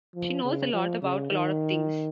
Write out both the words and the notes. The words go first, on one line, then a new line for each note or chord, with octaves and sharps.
She knows a lot about a lot of things.
F3
C#3
F3
C#3
D#3